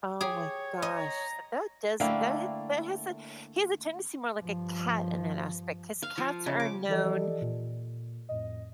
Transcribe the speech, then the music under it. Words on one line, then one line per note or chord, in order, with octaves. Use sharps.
Oh my gosh, so that does that ha that has a he has a tendency more like a cat in that aspect 'cause cats are known
G4 G#4 C#5
D#5 A#5
D3 A3 A#3 E4 F5 G5
G2 F3
F5
F3
C#3
D6
E3 F3 G4 A4 D5 D#5
A#2
F2 A2 D#5